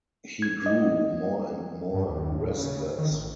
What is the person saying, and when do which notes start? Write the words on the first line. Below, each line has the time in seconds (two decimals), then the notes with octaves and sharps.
He grew more and more restless.
0.42 G#6
0.66 D#5
1.94 G2
2.09 D#2
2.38 A2
2.57 C#3
2.98 D#3
3.11 A1